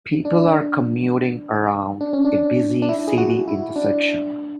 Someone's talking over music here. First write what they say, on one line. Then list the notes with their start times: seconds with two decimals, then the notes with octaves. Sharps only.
People are commuting around a busy city intersection.
0.25 D4
2.01 D4
2.13 C#4
2.25 D4
2.82 D4
2.89 E4
3.08 G#4
3.18 F#4
3.48 E4
3.76 D4